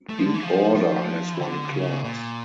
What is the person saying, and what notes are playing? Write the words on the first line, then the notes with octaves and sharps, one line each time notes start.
The order has one class.
A3
F3
D3
E3
F3
F3
E3
D3
C#3
A#2